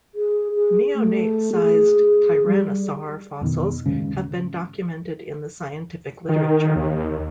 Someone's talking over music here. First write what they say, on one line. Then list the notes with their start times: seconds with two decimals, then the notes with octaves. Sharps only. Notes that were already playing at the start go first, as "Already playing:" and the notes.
Neonate sized tyrannosaur fossils have been documented in the scientific literature.
0.15 G#4
0.55 G#4
0.95 A3
1.53 G#4
2.46 G3
3.41 F2 B2 D#3
3.86 D#2 G#2 C#3
6.29 D#3
6.76 D#2